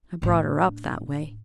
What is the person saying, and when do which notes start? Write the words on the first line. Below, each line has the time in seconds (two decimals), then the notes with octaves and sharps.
I brought her up that way.
0.22 A2 D4